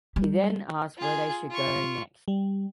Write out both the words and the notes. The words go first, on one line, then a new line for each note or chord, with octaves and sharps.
He then asks where they should go next.
G3
F4 G#4
F4 C#6
G3